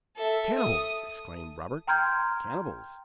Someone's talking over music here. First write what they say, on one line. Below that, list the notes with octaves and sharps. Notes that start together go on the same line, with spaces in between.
"Cannibals!" exclaimed Robert, "cannibals?"
A4 E5
D#6
G5 A#5 C6 F6 G6 G#6